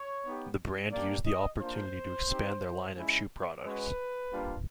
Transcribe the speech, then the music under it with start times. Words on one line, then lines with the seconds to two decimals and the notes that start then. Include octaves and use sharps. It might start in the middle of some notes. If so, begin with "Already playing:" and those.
The brand used the opportunity to expand their line of shoe products.
Already playing: C#5
0.25 B3 D#4 G4
0.92 A#3 D4 G4 D5
1.26 D#5
1.60 A#3 D4 F4 C5
2.27 C4 D#4 G4
2.96 G#3 C#4 E4
3.64 G#3 C#4 F#4 B4
4.32 G3 A#3 D4 F4